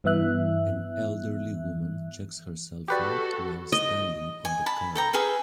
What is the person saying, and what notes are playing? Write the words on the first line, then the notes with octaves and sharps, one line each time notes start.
An elderly woman checks her cellphone while standing on the curb.
G2 E3 B3 E5 F#6
F#4 G4 A4 B4 D5
D#5
G#5
A5 B5
A4 G5 A#5
G#4 A4 B4 F5